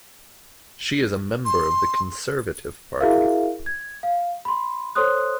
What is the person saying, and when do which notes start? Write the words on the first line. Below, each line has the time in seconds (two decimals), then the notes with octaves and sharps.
She is a member of the Conservative Party.
1.45 C6
3.01 E4 F#4 G#4 A#4 E5 F5
3.66 G#6
4.03 F5
4.45 B5 C6
4.95 A4 C5 C#5 C6 D#6 F#6